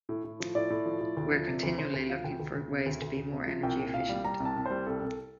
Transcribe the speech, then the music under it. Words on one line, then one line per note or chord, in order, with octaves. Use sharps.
We're continually looking for ways to be more energy efficient.
A2
A2
F3
A2 D5
A2
F3
A2
D2
F3
C3
D2
D2 C5
D2 C5
F3 F5
D2 G5
D2
D2
C3
D2
D2
D2
C3
F3
C2 G5
A#2
C2 F5
G3
G3 A#5
C2
A5
C2
G3 C5
C2 A4
C2